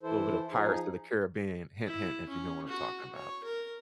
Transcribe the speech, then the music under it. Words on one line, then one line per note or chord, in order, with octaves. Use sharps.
Little bit of Pirates of the Caribbean, hint hint, if you know what I'm talking about.
E3 E4 A4 C5
F3 D#4 G#4
E4
C#4
F#4
C#5
A#4